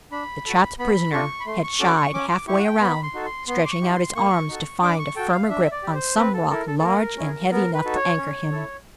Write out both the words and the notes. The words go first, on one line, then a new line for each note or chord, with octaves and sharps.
The trapped prisoner had shied halfway around, stretching out his arms to find a firmer grip on some rock large and heavy enough to anchor him.
D4 B5
F#4 A4
B3 B5
D4 F4 A4 C#6
B5
A3 C6
C#6
C#4 F#4 A4 D6
C#6
C#4 D6
D6
E4 G4 C#6
F#5
G5
B3 B5
C6
D#4 F#4 A4
C6
B3 C6
D6
C#6
E4 G4
C6
A#3 C#6
D#4 F#4 A4
D4 D6
C#6
F#4 A4 G5
F5
D4 E5
D5
G4
C5
C4 B4
A4
E4 A4 A#4
A4
A4
A#3 A#4
C#4 E4 G#4
B3 A#4
B4
D#4 F#4 A4
C#5
C#4
E4 A4